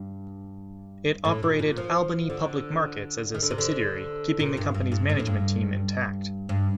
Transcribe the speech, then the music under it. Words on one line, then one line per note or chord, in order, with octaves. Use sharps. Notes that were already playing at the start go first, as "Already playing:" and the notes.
It operated Albany Public Markets as a subsidiary, keeping the company's management team intact.
Already playing: G2
A2
A#2
A#2
F3
D3
D#3
D3
C3
D3
A#2
G2
G2
G2
A2
F2
G2
G2